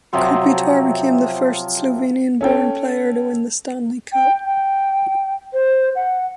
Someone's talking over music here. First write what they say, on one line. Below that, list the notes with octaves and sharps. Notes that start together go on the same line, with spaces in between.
Kopitar became the first Slovenian-born player to win the Stanley Cup.
C3 F3 F#3 C6
C#4 A4 G5
G5
G5
C5
F#5